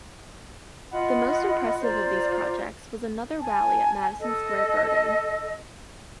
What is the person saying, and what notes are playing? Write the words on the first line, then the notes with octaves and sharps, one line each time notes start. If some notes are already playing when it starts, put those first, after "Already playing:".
The most impressive of these projects was another rally at Madison Square Garden.
F4 D#5 F#5 B5
F4 C5 D5 A#5
G#5 A5
A4 D#5